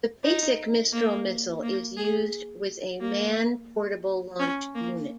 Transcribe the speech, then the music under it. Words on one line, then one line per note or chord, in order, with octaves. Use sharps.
The basic Mistral missile is used with a man-portable launch unit.
D#4
A#3
A#3
G#4
A#3
C#4
A#3